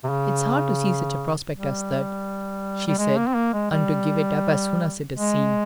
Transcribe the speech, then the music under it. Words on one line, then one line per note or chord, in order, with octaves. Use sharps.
"It is hard to see such a prospect as that," she said, "and to give it up as soon as it is seen."
C3
C#3
G3
G3
G#3
A#3
C4
A#3
G#3
G3
G#3